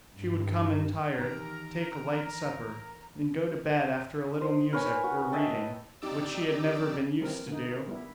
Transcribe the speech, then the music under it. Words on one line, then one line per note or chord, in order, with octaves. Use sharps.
She would come in tired, take a light supper, and go to bed after a little music or reading, which she had never been used to do.
G2
D#3 E3 G4 A#4 A#5
D#4 C5
A#4 B4 C#5 G#5
F#4
D#5 E5 G5 A5
F2 D#4 G4 D5 D6 E6
E3 F3 G3 C4 A#4
D3 D#4
A#4
G3 B3 E4